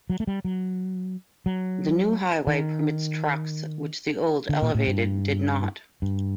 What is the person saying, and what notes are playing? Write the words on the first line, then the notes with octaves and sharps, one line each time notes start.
The new highway permits trucks, which the old elevated did not.
F#3
A3
G3
F#3
F#3
D#3
D3
A#2
A2
G2
G2